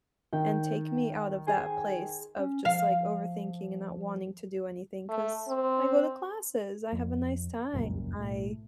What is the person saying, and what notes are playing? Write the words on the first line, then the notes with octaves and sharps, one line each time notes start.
and take me out of that place of just like overthinking and not wanting to do anything cause I go to classes, I have a nice time, I
D#3 G5
G#4 C5 G#5
C#4
F3 F5
A3
C4
F2
F1 C#2 F#2 A#2
B1 A2